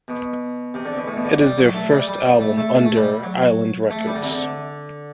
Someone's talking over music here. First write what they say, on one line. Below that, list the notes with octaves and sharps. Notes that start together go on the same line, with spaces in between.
It is their first album under Island Records.
B2
C3
D3
B2
A2
B2
D3
G3
F#3
A3
G3
G3
A3
A3
A3
A3
G3
F#3
A3
G3
D3
C3
D3